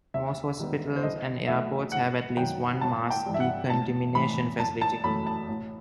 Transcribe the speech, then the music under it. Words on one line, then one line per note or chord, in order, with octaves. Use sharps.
Most hospitals and airports have at least one mass decontamination facility.
D#2 E5
D#3 G3 B3
C5
C2 D#5
B2 F#3 A3 E5
G1 F#5
F#2 D#3 F#3 G5
G1 A5
G5
G2 E3 G3
E5
F#5
A1 A5
A2 E3 B5
F#1 A5
A5
F#2 E3 A3 B5
A5
A1